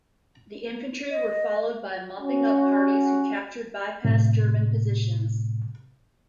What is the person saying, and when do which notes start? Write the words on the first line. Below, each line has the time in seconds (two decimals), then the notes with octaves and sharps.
The infantry were followed by mopping-up parties, who captured by-passed German positions.
1.11 D#5
2.17 C#4 F#4
4.05 A2 C3